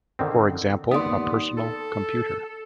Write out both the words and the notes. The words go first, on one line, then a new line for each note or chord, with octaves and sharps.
For example, a personal computer.
D3 D#3 C4
D#2 B3 D5 C6 D#6
A4